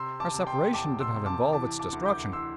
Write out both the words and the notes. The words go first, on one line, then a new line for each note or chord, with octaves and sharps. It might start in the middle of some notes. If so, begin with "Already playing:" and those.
Our separation did not involve its destruction.
Already playing: C3 C6 E6
A5 D6
C3
G5 C6
E2 A5 D6
C6 E6
C3
A5 D6
E3 A5 D6
A5 D6
D2
D6 G6
E3 C6 E6